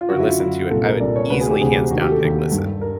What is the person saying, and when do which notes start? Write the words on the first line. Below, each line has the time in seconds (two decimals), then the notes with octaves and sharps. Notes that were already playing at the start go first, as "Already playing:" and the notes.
or listen to it, I would easily hands down pick listen.
0.01 F4
0.09 F#2 D3 F#4
0.20 E4
0.25 F4
0.40 F#2 D3 E4
0.70 C2 A#2 A4
0.85 A#4
1.00 C2 A#2 D5
1.16 C#5
1.30 D2 C3 E3 B4
1.41 G#4
1.51 G4
1.61 D2 C3 E3 G#4
1.76 G4
1.91 D#2 D#3 F#4
2.01 G4
2.11 A4
2.21 D#2 D#3
2.51 G2 D#3
2.81 A#4